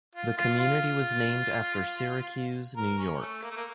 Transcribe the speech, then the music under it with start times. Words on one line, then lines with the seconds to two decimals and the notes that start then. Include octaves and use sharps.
The community was named after Syracuse, New York.
0.15 F4
0.38 F4
0.59 F4
2.77 A#4
2.99 C#4
3.21 A3
3.42 A#3
3.50 A3
3.57 A#3